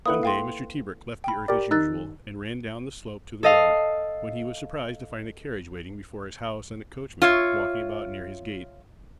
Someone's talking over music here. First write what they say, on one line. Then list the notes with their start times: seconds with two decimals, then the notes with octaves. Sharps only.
One day Mr. Tebrick left the earth as usual and ran down the slope to the road, when he was surprised to find a carriage waiting before his house and a coachman walking about near his gate.
0.06 A#3 E4 A4 B4 F#5 D#6
0.23 F5 G5 C6
1.24 G5 B5
1.48 G4 A#4 D5
1.71 D#3 D#4 E6 F#6 A6
3.43 A4 D#5 F5
7.22 F4 C#5 E5